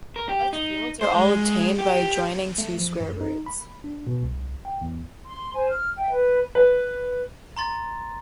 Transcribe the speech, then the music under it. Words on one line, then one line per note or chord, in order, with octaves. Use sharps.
Such fields are all obtained by adjoining two square roots.
A#4
G4
D#4
C5
G#3
G4
A3
F3
F#2
D#4
B5
D4
B2
C2
G5
E2
C6
C5 G#5
F6
E5 G5
B4
B4
A#5 C6 A6